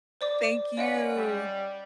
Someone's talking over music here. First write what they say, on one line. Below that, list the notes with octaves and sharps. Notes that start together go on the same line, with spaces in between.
Thank you.
C5 D5 D6
C#4 F4 B4 D5 D#5 F#5
G3